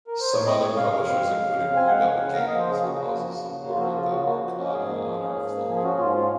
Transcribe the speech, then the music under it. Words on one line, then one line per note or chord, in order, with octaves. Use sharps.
Some other publishers, including Blue Devil Games, have also supported the "Arcana Unearthed" line.
A#4
C5
C#5
C4 D#5
G#3 C#5
C#3 F5
C#3 F5
C4
G#3
C#3
C#3
C4
G#5
G#3 F#5
C#3
C#3
A#3 F5
F3 D#5
C5
C#3 G#4
C#3 F#4
A#3
F3
C#3
C#3
A#3
F4
F3 F#4
C#3 F4
C#3 F#4
A#3 F#4
F3
C#4
F#4
G#2 G#4
A#3
F3
C#4
G#2
A#3
F3
G#4
C#4 F#4
G#2 F4
C#4 F4